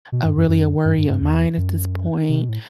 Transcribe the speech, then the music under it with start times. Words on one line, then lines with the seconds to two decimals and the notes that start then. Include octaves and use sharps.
a really a worry of mine at this point."
0.12 B2
0.24 G2
0.37 F#2
0.48 F#2
0.85 G2
0.98 G2
1.10 G2
1.21 E2
1.57 F#2
2.29 C3
2.39 B2
2.49 A2